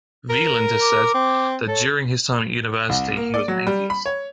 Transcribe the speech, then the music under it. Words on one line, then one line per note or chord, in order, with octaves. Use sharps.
Wieland has said that during his time at university he was an atheist.
A#4
D6
C4
A4 C#5
C2
A#3
D5
F#3
G3
B5
C#5